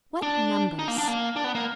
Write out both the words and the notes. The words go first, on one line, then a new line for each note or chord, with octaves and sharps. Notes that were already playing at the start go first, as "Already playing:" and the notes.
What numbers!
D4
D#4
A#3
D4
A#3
D4
B3
A#3